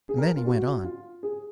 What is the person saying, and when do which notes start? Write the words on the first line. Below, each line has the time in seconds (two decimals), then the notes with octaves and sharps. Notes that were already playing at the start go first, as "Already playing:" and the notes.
And then he went on.
0.09 G#4
0.18 A#4
0.37 F4
0.46 F#4
0.84 F4
1.23 G#4